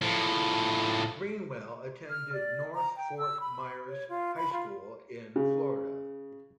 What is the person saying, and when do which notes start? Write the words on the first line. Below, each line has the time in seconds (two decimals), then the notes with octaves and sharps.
Greenwell attended North Fort Myers High School in Florida.
0.02 A2 F3
2.10 F6
2.33 D5
2.75 A#5
2.97 G5
3.19 E6
3.40 B5
3.88 C#5
4.09 F4
4.37 B5
4.53 F4
5.36 C#3